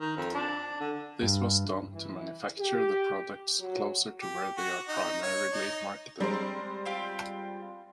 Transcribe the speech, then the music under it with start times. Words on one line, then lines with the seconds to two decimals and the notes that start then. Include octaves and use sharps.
This was done to manufacture the products closer to where they are primarily marketed.
0.01 D#3
0.17 F2
0.34 D4
0.80 D3
1.22 G2
1.92 E3
2.57 G4
3.59 F#3
4.21 G4
4.58 F#4
4.88 D#4
5.23 C#5
5.53 D#4
6.20 G3 G#3 C4 A#4 C5
6.85 C4 F4 G4